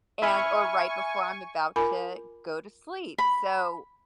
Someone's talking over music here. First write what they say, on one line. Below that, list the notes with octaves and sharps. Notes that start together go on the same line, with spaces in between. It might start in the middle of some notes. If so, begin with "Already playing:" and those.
and or right before I'm about to go to sleep. So,
E5 G#5 B5 C#6 F6
F4 A#4 G#5 B5 D6
B5